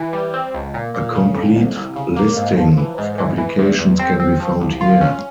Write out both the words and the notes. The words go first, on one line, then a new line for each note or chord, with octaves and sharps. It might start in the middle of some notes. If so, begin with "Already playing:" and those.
A complete listing of publications can be found here.
Already playing: E3
G3
C4
C#2
A#2
A#2
C#3
F2
C2
C2
C#3
A#3
G#2
F3
E3
G#2
E3
E3
E2
E2
C4
C4
F3
C2
F4
C#4